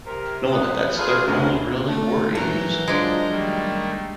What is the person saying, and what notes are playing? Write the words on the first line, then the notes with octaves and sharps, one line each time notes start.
knowing that that's their only really worry is
C3 A#4
B3
F4 G#4 A4 B4 E5
D2 C#3 F3 G#3 A#4
A3
E3 F#3 A#4 A#5 G6
F3 G#3 D4
D#3 G3 A3 A#3